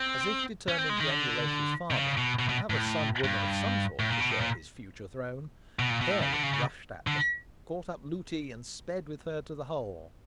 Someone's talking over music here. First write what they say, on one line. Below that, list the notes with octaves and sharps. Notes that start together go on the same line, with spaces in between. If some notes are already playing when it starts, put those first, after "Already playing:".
As if determined to emulate his father and have a sun-woman of some sort to share his future throne, Harelip rushed at them, caught up Lootie, and sped with her to the hole.
Already playing: C4
C#4
C4
G#3
D#3
D3
C3
C#3
B2
B2
B2
A2
G2
A2
A#2
B2
A2
A#2
B2
A#2
B2
A2
C#3
D3
C#3
C#3
D3